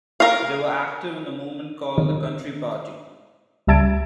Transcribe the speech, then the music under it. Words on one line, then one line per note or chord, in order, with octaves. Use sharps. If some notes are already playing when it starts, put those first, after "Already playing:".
They were active in the movement called the Country Party.
A#4 F5
D#3
C#2 G3 E5 A5 G#6 D7